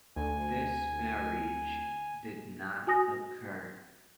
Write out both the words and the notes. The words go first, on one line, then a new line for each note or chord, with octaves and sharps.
This marriage did not occur.
D2 G#5
F#4 G#5 D#6 A#6